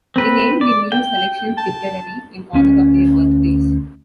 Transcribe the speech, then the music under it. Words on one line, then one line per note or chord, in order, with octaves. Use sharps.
They named their new selection Tipperary in honour of their birthplace.
C4 B4
D5
G5
A5
D2 C#4